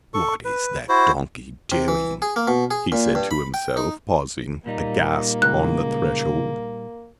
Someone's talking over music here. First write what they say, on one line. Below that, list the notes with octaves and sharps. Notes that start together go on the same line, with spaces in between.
"What is that donkey doing?" he said to himself, pausing, aghast, on the threshold.
A4 C#6
B4
E4 F#4 C5
C3
E3
G#4
A#3
B2
G#4
A#2
G2
B5
G5
D#4
A#2 G3 A#3 D#4
C#2 F#6